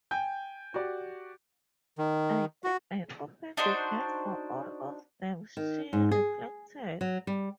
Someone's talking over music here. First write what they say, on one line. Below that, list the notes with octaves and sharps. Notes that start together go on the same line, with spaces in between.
"I think I opened the gate for all of them," she reflected.
G5 G#5 G6
F#4 G4 D5
D#3
F#4
D4 D#4 F#4 C5
D#3
G#2
G#4
F#3
G3